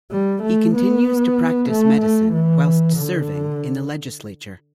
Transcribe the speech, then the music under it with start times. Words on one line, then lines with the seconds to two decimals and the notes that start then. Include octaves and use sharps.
He continues to practice medicine whilst serving in the legislature.
0.11 G3
0.43 A3
0.75 B3
1.69 A3
2.01 A3
2.32 E3
2.96 D3